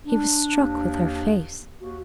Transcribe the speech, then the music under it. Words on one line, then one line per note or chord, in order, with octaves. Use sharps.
He was struck with her face.
D4
D#2
D#2 F#4